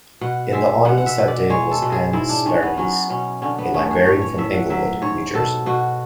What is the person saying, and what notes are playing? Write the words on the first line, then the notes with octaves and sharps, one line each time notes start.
In the audience that day was Ann Sparanese, a librarian from Englewood, New Jersey.
B2 F#5
G#3 E5
B2 F#5
F#5
E5
B2
D5
G#3 C#5
A4
B2
G#4
G#2 E4
D4
G#2 C#4
B3
F#3 C#4
B2 C#4
D3 C#4
B3
A3 C#4
G#4
A2 C#5
C#5
A2 E5
F#5
F#3 E5
G#2 C#5
B2 A4
B2 F#4